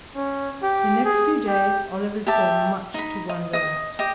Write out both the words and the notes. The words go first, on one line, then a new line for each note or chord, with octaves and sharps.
The next few days Oliver saw much to wonder at.
C#4
G4
G#4
G4
G4 E5 A5
D#4 B5
D#5
D#5 D#6
G4 D#5